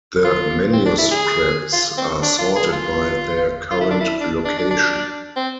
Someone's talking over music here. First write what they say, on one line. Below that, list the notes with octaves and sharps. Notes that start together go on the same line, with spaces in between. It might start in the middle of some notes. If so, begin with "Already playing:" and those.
The manuscripts are sorted by their current location.
F4
C4
D4
E4
G#4
F4
C4
D4
F4
G#4
F4
F4
E4
D4
E4
D4
D4
D4
D4
C4